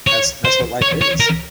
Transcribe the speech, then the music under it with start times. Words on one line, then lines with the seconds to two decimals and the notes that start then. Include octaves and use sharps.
that's that's what life is.
0.07 C#5
0.45 C5
0.82 C#5
1.01 C#5
1.20 A#4